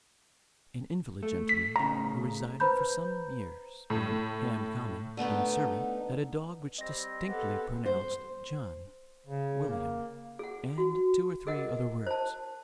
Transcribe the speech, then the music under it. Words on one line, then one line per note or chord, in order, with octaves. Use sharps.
An invalid gentleman, who resided for some years on Ham Common, in Surrey, had a dog which distinctly pronounced John, William, and two or three other words.
A3
B6
A2 C#3 A#5
B4 C5 A#5 B5 G6
A2
D3 A3 B3 D#4
G3 C4 D#5 A#6
B3 C4 G4 A4 F#5
C5
C#3
A#3
G#4 F#5
F#4
G#4 A#4 D#5 F#5
C5 A5